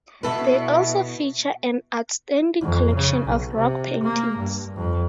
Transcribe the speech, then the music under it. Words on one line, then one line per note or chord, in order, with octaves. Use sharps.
They also feature an outstanding collection of rock paintings.
B2 E4 A4 B4
F2
C#3
B1
C3
A#3
G2
F2